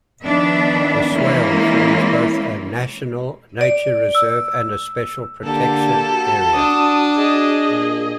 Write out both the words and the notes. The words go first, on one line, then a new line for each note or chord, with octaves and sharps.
The Swale forms both a National Nature Reserve and a Special Protection Area.
D#3 F3 B3 D4 E5
E3 G#3 A#3 C#4 E4 F4
D5
E6
D3 A#3 G4 A4
F#4
D4 D#6
G#4 D#5
A#2